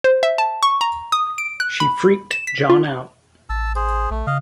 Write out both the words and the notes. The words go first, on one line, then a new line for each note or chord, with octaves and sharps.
She freaked John out.
C5
E5
A5
C#6
A#5
D#6
D7
F#6
B5
E7
B6
F4
A1 A5 E6
G#4 C5
A#1 A3
C#3 D#5 F5